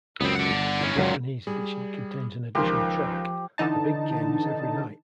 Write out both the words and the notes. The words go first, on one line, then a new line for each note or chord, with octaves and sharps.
The Japanese edition contains an additional track, "The Big Game Is Every Night".
C#2 F#2 B3 C4
D5 F#5
G1
E3 C#4
C#2 F#2 A#2 D#3 F#3
G3 G#4
C#2 D#3 F3 G4 A#4 C6
D3 E3 D#4 A5